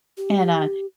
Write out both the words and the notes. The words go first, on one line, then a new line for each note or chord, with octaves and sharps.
And, uh,
G4